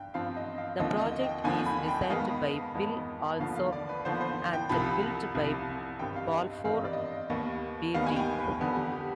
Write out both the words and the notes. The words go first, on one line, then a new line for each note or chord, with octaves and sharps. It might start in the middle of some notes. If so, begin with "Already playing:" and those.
The project is designed by Will Alsop and built by Balfour Beatty.
Already playing: G2 G5
G2 F3 C4 F5
D#5
F5
D#2 D3 F3 C4 D#5
D#5
G5
D#2 D3 F3 C4 G#5
B5
G5
F2 D#3 G#3 B3 F5
F2 D#3 G#3 B3
D#2 D3 F3 B3 F5
F5
D5
B4
D#2 D3 F3 B3 C5
C5
G5
C2 C3 F3 B5
C2 C3 F3
G2 D#3 G3 C4 G5
F5
D#5
G2 D#3 G3 C4 F5
D#5
D5
D#5
D#2 D#3 G3 B3
D#2 D#3 G3 B3 F5
G#5
G5
B4
F2 D3 G3 B3 G4
G4
G4